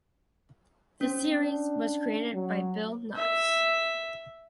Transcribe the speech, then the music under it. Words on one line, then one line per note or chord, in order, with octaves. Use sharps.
The series was created by Bill Nuss.
C4 C#4
D4
F#3
E5